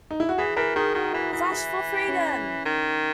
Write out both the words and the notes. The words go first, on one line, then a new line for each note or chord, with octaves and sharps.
Flash For Freedom!
D#4
E4
F#4
E3 G#4
E3 A#4
D#3 G#4
D#3 F#4
E3 E4
E3 E4
E4
C#4
D#3